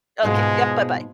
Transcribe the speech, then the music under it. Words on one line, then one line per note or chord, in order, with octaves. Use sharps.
Okay, yep, bye-bye.
G#2 B2 G#3 F4